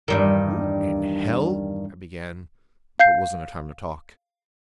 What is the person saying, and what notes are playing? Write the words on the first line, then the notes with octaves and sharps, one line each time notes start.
"Who in Hell ..." I began; but it wasn't a time to talk.
E2 G2 D#3
F5 G6 C7